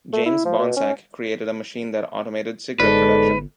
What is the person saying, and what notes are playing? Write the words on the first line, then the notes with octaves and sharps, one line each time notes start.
James Bonsack created a machine that automated cigarette production.
A3
E4
F3
B2
C#4
G1 G#2 A4 B4 D5